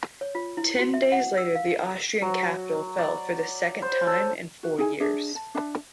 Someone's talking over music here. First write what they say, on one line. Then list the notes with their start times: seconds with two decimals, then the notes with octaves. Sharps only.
Ten days later, the Austrian capital fell for the second time in four years.
0.21 C#5
0.35 F4
0.57 E4
0.79 F#4
0.94 E5
1.12 F#5
1.38 E6
1.55 F5
2.22 F#3
2.98 D5
3.82 C5
4.07 A4
4.63 F#4
4.78 D#4 E4 G#4 G#5
5.00 D4 G#4 E5
5.35 A5
5.55 D4 E5 A5